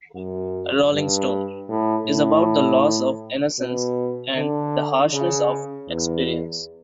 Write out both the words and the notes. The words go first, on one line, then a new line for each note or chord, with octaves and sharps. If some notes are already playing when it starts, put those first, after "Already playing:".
'Rolling Stone' is about the loss of innocence and the harshness of experience.
F#2
G2
A2
A2
B2
D3
C#3
E2